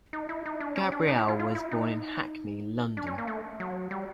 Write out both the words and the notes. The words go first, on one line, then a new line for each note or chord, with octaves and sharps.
Gabrielle was born in Hackney, London.
D#4
E4
D#4
D4
C#4
D4
D#4
E4
F4
F4
E4
D#4
D4
C#4
A#3
A3
F#3
G3